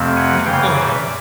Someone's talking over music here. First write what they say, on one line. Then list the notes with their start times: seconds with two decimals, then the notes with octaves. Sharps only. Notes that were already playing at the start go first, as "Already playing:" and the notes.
Mhm, go ahead.
Already playing: F2 C3 F3 A3 C4
0.16 F#5 G#5
0.45 F#2 C#3 E3 F5 G5
0.74 D5 E5